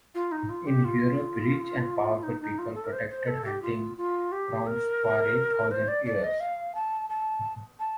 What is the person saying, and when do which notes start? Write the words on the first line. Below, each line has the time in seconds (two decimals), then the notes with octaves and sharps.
In Europe, rich and powerful people protected hunting grounds for a thousand years.
0.15 F4
0.32 D#4
0.49 F4
0.67 G4
0.84 F4
2.23 D#4
2.41 D#4
2.58 F4
2.75 A4
2.85 A#4
2.93 C5
3.10 C5
3.27 A4
3.45 G4
3.62 F4
3.97 F4
4.32 G4
4.66 A#4
5.71 C5
5.88 D5
6.05 D5
6.24 D#5
6.40 F5
6.75 A5
7.10 A5
7.79 A5